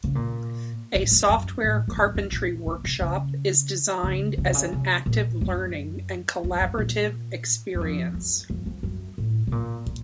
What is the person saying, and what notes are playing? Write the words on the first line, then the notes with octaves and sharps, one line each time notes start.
A Software Carpentry workshop is designed as an active learning and collaborative experience.
C#3
A#2
A2
F2
F#2
A2
F2
F#2
F2
A#2
A#2
C3
C#3
C#3
C#3
C3
C#3
C3
A#2
F#2
F2
F#2
A#2
F#2
F2
F#2
F2
F2
F#2
A2
C3
A#2
A#2